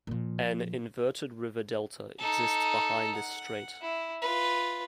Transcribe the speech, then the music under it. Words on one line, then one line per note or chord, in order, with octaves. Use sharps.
An inverted river delta exists behind this strait.
A#2 F3
D#4 A4
F#5
E4
F4 B4